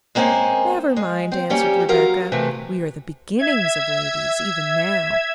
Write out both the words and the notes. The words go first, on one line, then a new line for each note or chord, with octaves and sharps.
"Never mind," answered Rebecca; "we are the BEGINNINGS of ladies, even now."
G#3 A#3 C4 C#4 G#5
G#3
C4
G3 A#3 C4 C#4 G4
F3 F#3 A#4 F5
C3 E3 A3 B4
E5 G#6